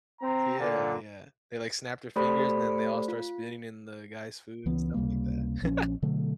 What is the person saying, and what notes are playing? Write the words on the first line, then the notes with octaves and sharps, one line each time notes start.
Yeah, yeah. They, like, snap their fingers, and then they all start spitting in the guy's food and stuff like that.
C4 A#5
A#2 D3
A3 G4 A4 C5 D5 B5
F4
C#2 E3 B3
C#2 C3 G3 A#3
A#1 F3 C4 C#4
B2 D3 F#3 A3